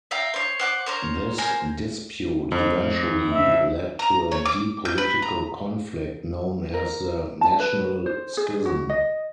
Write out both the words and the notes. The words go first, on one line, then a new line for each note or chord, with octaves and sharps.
This dispute eventually led to a deep political conflict, known as the "National Schism".
E5 F5 G5 A#5
C5 C#5
C5 F#5 D6
A#4 C5 C#5
A#4 C5 G#5
F2
E5
A#5
C#5
D6
G6
B4
A#5
A#4
A5
B4
C5
G#4
F#4
D#5